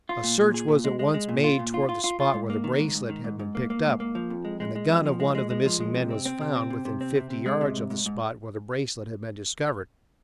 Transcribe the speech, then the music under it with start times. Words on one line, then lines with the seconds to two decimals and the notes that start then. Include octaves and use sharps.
A search was at once made toward the spot where the bracelet had been picked up, and the gun of one of the missing men was found within fifty yards of the spot where the bracelet had been discovered.
0.09 F4
0.24 A#2
0.38 A#2
0.54 G#4
0.68 A#2
0.84 G#3
0.99 G#3
1.14 G#3
1.29 A#2
1.44 F4
1.59 A#2
1.74 F4
1.89 F4
2.04 F4
2.20 F4
2.34 G#2
2.50 A#3
2.64 D#3
2.80 G#2
2.95 G#2
3.09 D#3
3.24 G#2
3.39 G#2
3.55 A#3
3.70 A#3
3.85 G#2
4.00 A#3
4.15 F3
4.30 F2
4.45 G#3
4.60 G#3
4.75 G#3
4.89 F2
5.05 F3
5.20 G#3
5.35 G#3
5.50 G#3
5.66 F3
5.80 G#3
5.95 C3
6.10 C4
6.25 C4
6.41 C3
6.56 C4
6.70 C3
6.85 C3
7.01 C4
7.15 C3
7.30 C3
7.46 G#3
7.61 C3
7.76 G#2
7.90 G#2
8.06 G#2